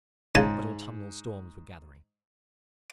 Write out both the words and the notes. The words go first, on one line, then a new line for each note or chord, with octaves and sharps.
But autumnal storms were gathering.
G#2 C#3 G#5 A5